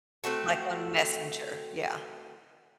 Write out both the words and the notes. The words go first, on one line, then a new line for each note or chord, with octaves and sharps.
Like, on Messenger. Yeah.
A3 C4 F#4 A4